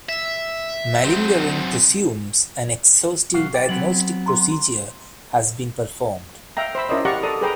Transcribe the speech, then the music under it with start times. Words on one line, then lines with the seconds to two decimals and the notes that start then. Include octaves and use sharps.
Malingering presumes an exhaustive diagnostic procedure has been performed.
0.09 E5
1.05 F#3 C4
3.34 B1 F#4 F5
3.54 D5 G5
3.69 F#3 B3 C4 F#7
4.26 A#5 C6
6.57 E5 F5 G5 A#5
6.75 C5 E5 B5 E6
6.89 C#4 E4 A#4 C5 D5 D#5
7.05 G4 D5 F5 F#5 A#5 C#6
7.23 A4 D5 A#5 D#6
7.41 G#4 B4 G5 A#5